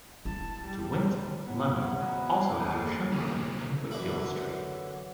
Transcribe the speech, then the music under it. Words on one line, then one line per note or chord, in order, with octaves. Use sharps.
Derwent London also have a showroom in Whitfield Street.
E4 A5
G3
B3 E4 C#5
E2 D6
F2 F3 F#4 G#4 A#5 B5
B4 E5
C5
A#3 G#4 A4
C2 A#2
F#2 D3 E3 E5 B5